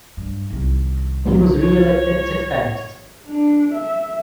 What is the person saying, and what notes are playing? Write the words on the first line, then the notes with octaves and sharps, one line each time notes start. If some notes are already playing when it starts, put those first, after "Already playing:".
He was reelected six times.
G2
C2 D#3
C#5
D4
E5